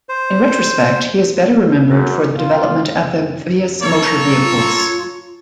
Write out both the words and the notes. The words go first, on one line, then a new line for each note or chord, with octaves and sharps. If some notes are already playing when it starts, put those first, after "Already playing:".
In retrospect he is better remembered for the development of amphibious motor vehicles.
C5
F#2
F4
A#3 A4 C#5
F4